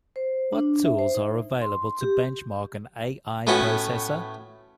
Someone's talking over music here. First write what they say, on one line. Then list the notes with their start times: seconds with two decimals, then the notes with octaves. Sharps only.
What tools are available to benchmark an A-I processor?
0.16 C5
0.53 D4
0.84 E5
0.99 C5
1.15 D#4
1.61 C6
2.01 G4
3.47 A2 A3 B3 C#4 F#4